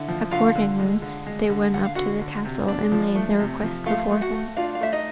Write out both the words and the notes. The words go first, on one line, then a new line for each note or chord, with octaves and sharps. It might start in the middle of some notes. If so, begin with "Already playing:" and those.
Accordingly they went up to the castle and laid their request before him.
Already playing: D3 E4 E5
F3
D3 F4 F5
D3
G#3
D3
G#3
D3
D3 F#5
F5
D3 F#4 F#5
D3
C3
D4
F3
A3
C3
F3
A3 F4 F5
A3
F#4 F#5
A3
D4 F4 F5
F5
A3 E5
D#4 D#5